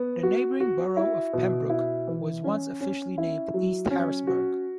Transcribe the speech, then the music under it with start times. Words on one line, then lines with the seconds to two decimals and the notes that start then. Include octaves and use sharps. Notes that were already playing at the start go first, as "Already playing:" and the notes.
The neighboring Borough of Penbrook was once officially named "East Harrisburg".
Already playing: B3
0.23 F#4
0.60 F#4
0.97 E4
1.33 B2
1.70 E4
2.08 E3
2.44 C#4
2.80 C#4
3.18 E4
3.54 F#3
3.91 C#4
4.27 F#4